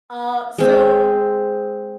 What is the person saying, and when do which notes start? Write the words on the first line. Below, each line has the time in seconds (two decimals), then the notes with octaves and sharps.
Uh, so
0.58 G#3 C4